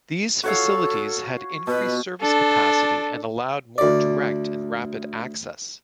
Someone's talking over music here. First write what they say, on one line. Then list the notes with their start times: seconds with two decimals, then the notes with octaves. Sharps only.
These facilities had increased service capacity and allowed more direct and rapid access.
0.43 F#4 A4 C#5 F5
1.67 B2 B4
2.20 D4 A4
3.78 D2 D5